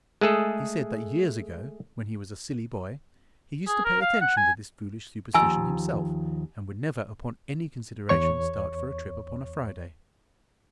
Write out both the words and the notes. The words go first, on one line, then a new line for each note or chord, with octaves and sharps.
He said that years ago, when he was a silly boy, he used to pay attention to this foolish superstition himself, and would never upon any consideration start for a trip upon a Friday.
G#3 A3 G#4 A4
G#4
A#4
F5
F#5
G#5
D#2 F3 G#5 A#5 E6
E2 C#5 C#6